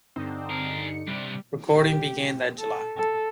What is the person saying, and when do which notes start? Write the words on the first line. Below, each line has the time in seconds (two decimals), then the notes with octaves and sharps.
Recording began that July.
0.16 G2 D3 C4 D#4
0.50 G#4 A#4
0.83 C#7
1.07 C3 G3 D4
1.75 G4
2.58 A4
2.97 A4